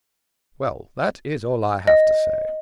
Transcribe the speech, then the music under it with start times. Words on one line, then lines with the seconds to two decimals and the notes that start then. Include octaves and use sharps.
Well, that is all I have to say.
1.87 D#5